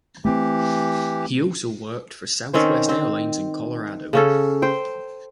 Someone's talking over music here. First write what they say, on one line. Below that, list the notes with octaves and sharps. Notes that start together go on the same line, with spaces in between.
He also worked for Southwest Airlines in Colorado.
E3 A3 B3 C4 G4
D#3 C4 C#4 C5
C4
C#3 C#4 A4
C5 G5